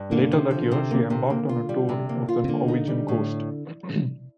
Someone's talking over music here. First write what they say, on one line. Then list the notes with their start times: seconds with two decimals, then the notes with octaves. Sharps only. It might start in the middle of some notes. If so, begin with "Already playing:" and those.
Later that year she embarked on a tour of the Norwegian coast.
Already playing: G2
0.11 D3 A#3
0.32 C3
0.51 F3
0.72 C3
0.91 A#3
1.10 C3
1.30 A#3
1.49 F4
1.69 G3
1.89 C3
2.09 A#3
2.29 F4
2.44 C3
2.48 D3 A#3
2.68 D#4
2.87 G3
3.08 A2